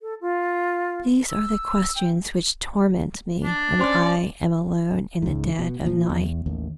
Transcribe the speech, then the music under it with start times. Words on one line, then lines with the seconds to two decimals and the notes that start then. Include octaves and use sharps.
These are the questions which torment me when I am alone in the dead of night.
0.01 A4
0.21 F4
1.30 E6
1.96 G5
3.44 D4
3.79 C#4 C5 D5 C6
5.22 C#2 G#2
5.59 B2
5.85 A#2 F3
6.10 E2
6.46 A1 D#2